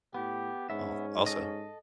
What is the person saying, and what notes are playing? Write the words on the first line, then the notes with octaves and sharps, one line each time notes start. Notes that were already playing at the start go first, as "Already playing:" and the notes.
Oh, also
A2 B3 G4
G#2 B3 C#4 E5
A4 D#5